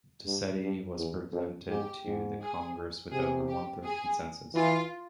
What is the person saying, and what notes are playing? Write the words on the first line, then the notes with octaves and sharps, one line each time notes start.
Dossetti was presented to the Congress with over one third consensus.
G2
G2
E2
F2
G#2 G4
G#2
G#4
C3 G#4
G4
G#4
E3 F4